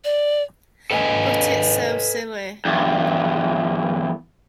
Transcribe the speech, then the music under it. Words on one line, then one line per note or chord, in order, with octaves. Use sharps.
But it's so silly!
D5
A4 B4 D#5 F#5 G#5
E2 G2